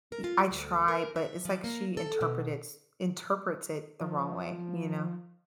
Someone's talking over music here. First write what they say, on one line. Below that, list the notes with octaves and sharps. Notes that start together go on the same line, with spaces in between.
Eh, I try, but it's like she interpret it's interprets it the wrong way, you know?
A#4
F4
D2
A#4
E5
F3
A#3
A4
B2
F3